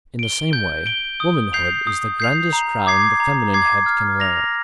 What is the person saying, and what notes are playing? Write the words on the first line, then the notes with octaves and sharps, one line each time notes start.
In the same way womanhood is the grandest crown the feminine head can wear.
D7 G7
G6
D7 G7
D#6
G6 C7 F7
D#6
G6 C7 F7
A#5
D6 G#6 C7
A#5
D6 G#6 C7
F6
A#6 F7